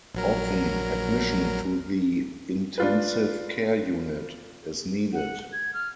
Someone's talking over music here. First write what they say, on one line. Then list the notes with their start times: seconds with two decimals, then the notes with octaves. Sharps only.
Often, admission to the intensive care unit is needed.
0.15 A#1 F#3 A#4
2.78 D4 F4 B4
5.13 F#5
5.53 G#6
5.74 F6